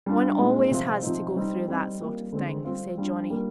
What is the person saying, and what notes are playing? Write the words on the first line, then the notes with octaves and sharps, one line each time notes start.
"One always has to go through that sort of thing," said Johnny.
G3 D4 F4
A#2 G#3 D#4
C3 F3 C4 F4
C3 F3 C4 D#4
G3 C4 D#4
G3 C4 D#4
G3 A#3 F4
D3 G#3 C4
G3 C4 F4
G3 D4 F4
G3 A#3 F4